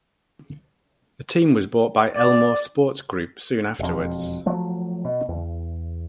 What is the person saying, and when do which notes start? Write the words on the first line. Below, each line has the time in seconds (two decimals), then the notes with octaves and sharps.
The team was bought by Elmore Sports Group soon afterwards.
2.15 D5
3.79 E1 F2
4.46 F3 F#3 A3
5.05 B2
5.28 E2